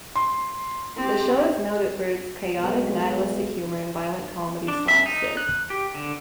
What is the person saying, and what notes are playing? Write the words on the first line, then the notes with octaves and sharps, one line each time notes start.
The show is noted for its chaotic, nihilistic humour and violent comedy slapstick.
C6
C4 G4
B1 B2 G#3
D4
E5
D#4
F#6
G4
D3